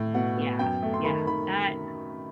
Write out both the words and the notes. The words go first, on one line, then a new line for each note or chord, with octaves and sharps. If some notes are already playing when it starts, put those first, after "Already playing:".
Yeah, yeah, that
Already playing: A2
B2 F#5
B3
F#2 G5
A3
C6
D#3 B5
D#3 B5